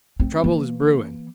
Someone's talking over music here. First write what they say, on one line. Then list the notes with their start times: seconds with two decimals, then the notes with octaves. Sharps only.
Trouble is brewing.
0.20 A3 C4
0.44 E3 A#3